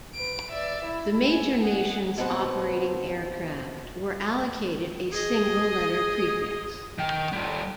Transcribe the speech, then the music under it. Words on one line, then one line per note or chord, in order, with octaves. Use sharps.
The major nations operating aircraft were allocated a single letter prefix.
B4 D7
D5 E5
E4
G#5
G#4 F#5
D#2 B2 F3 C4 B4 F#5
G#4 D#5
D#3 G5
G3 F4